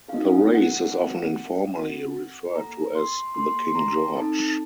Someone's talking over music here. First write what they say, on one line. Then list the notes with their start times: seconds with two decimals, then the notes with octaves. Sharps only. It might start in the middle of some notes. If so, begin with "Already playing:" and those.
The race is often informally referred to as the "King George".
0.09 F5
0.14 C4 D#4 F#4 A4 D#5
0.54 F#5
0.94 C4 F#4 A4
1.74 C4 F#4 A4
2.55 A#3 F4 A4 A#5
2.95 C6
3.35 A#3 F4 A4 C6
3.69 C6
3.75 A#5
4.16 C4 D#4 A4 A5